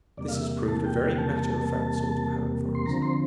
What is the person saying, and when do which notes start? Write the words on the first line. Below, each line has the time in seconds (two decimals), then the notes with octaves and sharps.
This has proved a very matter-of-fact sort of home for us.
0.17 E2 C3 G3 A#3 D5
0.28 F5
0.35 E5
0.68 A5
0.84 G5
1.12 G5
1.18 A5
2.75 C6
2.86 D2 D3 F3 C4 A#5
3.02 C6